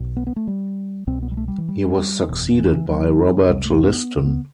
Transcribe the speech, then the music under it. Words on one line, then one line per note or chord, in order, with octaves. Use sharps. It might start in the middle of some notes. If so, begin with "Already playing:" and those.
He was succeeded by Robert Liston.
Already playing: B1 B2
B3
B3
A3
G3
C2 B2 C4
B3
G3
A3
G3
E3
G3
G3
F#1 E2 B2
E3
E3
F#3
C2 C3 G3
A3
B3
B3